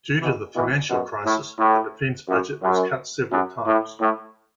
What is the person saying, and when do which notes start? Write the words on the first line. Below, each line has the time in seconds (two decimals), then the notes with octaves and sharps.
Due to the financial crisis, the defence budget was cut several times.
0.21 B2 E3
0.56 B2 E3
0.90 F#2 B2
1.25 A2
1.59 A2
2.29 F#2
2.63 F#2
3.32 F#2
3.67 A2
4.01 A2